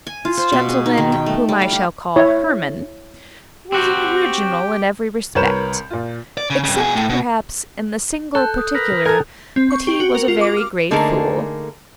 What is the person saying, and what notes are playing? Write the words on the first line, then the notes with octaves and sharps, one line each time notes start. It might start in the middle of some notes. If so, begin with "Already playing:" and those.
This gentleman, whom I shall call Hermann, was an original in every respect--except, perhaps, in the single particular that he was a very great fool.
G#5
F4
C5
B2
G#4
D#4
D#3
G5
A3
G3
F5
G4
E4 C#5
C4 F#4 G4 G5
C2 A#4 B4 C#5 G6 E7
A#2 F4
D5
C#3
G2 C#3
B2 G#4
A2
B2
A4 F#6 G6
D#6
A#4 B4
A4 A#4 G#5 A#5
C4
C#6
G4
F#4
A#4
F4
D6
F6
D3 A3 A#3 D#4 G#4 A#4